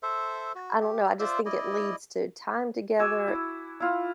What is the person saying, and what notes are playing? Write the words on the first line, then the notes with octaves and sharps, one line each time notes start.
I don't know, I just think it leads to time together
A4 C5 E5
F#4
G4
F4 C5 D5 E5
E4 D5 D#5
F#4 G#5 D6 E6
E4
E4 F4